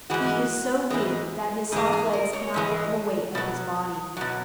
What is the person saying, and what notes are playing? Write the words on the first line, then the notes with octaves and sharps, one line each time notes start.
He is so weak that his soft legs cannot bear the weight of his body.
G#2 E3 G#3 F#4
G#2 E3 G#3
G#2 E3 G#3 G#4
G#4
A#4
C#5
G#2 E3 G#3
B2 F#3
B2 F#3